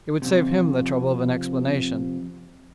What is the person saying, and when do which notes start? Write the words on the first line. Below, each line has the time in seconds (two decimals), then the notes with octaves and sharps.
It would save him the trouble of an explanation.
0.22 F2 C3